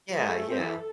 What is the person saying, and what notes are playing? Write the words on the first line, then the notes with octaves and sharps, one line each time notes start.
Yeah. Yeah.
F3
G#3 G#4
A3
A3
C4
E3 A4